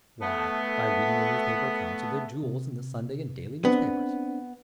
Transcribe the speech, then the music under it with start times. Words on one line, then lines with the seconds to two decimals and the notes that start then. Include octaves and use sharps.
Why, by reading the newspaper accounts of their jewels in the Sunday and daily newspapers.
0.21 A3 B3
2.43 C3
3.65 B3 C4 D4